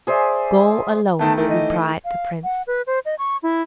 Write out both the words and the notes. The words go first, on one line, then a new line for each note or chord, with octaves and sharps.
"Go alone," replied the prince.
G#4 C5 D5 E5
D#3 A3 B3 A5
D#3 E3 A3 A#4
D#5
F5
F#5
B4
C5
D#5
C#6
E4